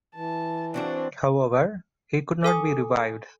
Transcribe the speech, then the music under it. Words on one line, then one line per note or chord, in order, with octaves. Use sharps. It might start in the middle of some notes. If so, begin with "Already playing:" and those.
However, he could not be revived.
E3 A5
F#3 C4 D4 F#4
A4 G#5 D#6